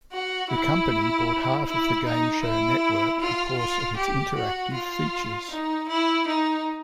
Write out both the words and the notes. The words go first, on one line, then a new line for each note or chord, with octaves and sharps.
The company bought half of the Game Show Network because of its interactive features.
F#4
E4
E4
D#4
E4
F4
F4
G4
F#4
F4
D#4
E4
D#4